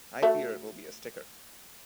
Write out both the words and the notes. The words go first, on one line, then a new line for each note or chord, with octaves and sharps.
I fear it will be a sticker.
A3 F#4 E5